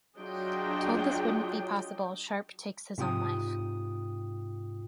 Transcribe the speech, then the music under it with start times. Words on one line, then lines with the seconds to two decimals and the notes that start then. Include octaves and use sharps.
Told this wouldn't be possible, Sharpe takes his own life.
0.17 F#3 D4 F4 G#4 D#5 G5
2.98 G#2 C3 F4 G5 D#6